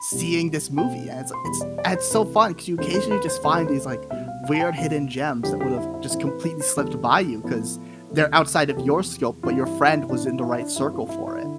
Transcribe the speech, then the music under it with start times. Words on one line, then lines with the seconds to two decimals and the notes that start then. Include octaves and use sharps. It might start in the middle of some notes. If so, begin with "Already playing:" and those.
seeing this movie, and it's it's it's so fun 'cause you occasionally just find these, like, weird hidden gems that would've just completely slipped by you 'cause they're outside of your scope, but your friend was in the right circle for it.
Already playing: B5
0.12 C2 B2 G3
0.77 B2 A3 C4 G5
1.34 C6
1.44 E2 B2 G3 B5
1.61 D5
1.78 D5
1.95 C5
2.11 C2 C3 E3 A3 B4
2.78 E2 D3 A3 C4 C5
2.94 C5
3.11 B4
3.28 C5
3.44 D2 D3 A3 C4 C5
3.56 B4
3.67 C5
3.89 C5
4.11 C2 B2 G3 E5
4.28 F5
4.44 F5
4.54 A5
4.60 G5
4.77 C2 B2 B3 F5
5.43 F2 D3 G3 C4 G4
5.60 G4
5.77 E4
5.94 E4
6.10 A2 E3 A3 C4 E4
6.27 B4
6.44 B4
6.60 C5
6.77 E2 D3 G3 B3 A4
7.44 A2 F3 B3
8.10 D2 C3 E3 A3
8.70 A4
8.76 E2 C3 F3 B3 G4
9.43 G2 E3 G3 C4 F4
9.65 E4
9.88 E4
10.09 A2 E3 B3 D4
10.26 E4
10.38 F4
10.43 E4
10.55 E4
10.59 D4
10.76 G2 E3 A3 C4 E4
10.93 F4
11.09 E4
11.27 E4
11.43 D3